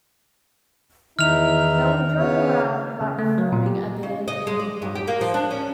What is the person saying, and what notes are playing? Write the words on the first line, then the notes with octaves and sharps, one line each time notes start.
They would joke around about forming a band in the halls.
E2 D#3 D#4 E4 F6 F7
C#3 B3 C#5
C#3
A3
F#3
A#2
G4
C#3
D#5
G#3
D5
G2
G4
A#3
F3
D4
C#4